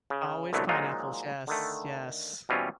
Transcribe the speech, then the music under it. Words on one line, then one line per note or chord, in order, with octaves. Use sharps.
Always pineapples, yes, yes.
C#3
C2 B2 D3 F#3 A3
A#2 F3 F#3 G#3 D#4 F4
D3 D#3 A3
B2 E3 G3 C4 C#4 F4